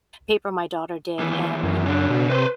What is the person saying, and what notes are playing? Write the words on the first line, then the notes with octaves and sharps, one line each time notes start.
paper my daughter did, and
D#2 E3
F#2
C#3 D4
B2
C3 B4 C5